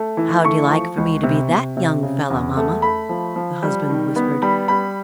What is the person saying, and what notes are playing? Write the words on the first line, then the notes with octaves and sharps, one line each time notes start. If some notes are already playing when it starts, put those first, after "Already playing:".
"How'd you like for me to be THAT young fella, mamma?" the husband whispered.
Already playing: A3
E3
A3 C#6
F3
C#2
C3
C3
C3
C#3
E2
A3
A3 B5
F3
F3
G3
D#3
B3
G3 B5
G3 B5